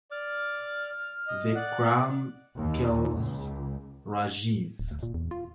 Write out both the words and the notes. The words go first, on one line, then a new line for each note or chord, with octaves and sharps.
Vikram kills Rajeev.
D5 D6 F6
D#5
D5 F#5 F#6
D#2
C#2
D1
D2
A#2
E2
F4